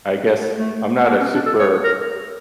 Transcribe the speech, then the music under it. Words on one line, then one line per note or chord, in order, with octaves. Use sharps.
I guess, I'm not a super,
A3
A#3
C#4
D4
A4
C#5
A#4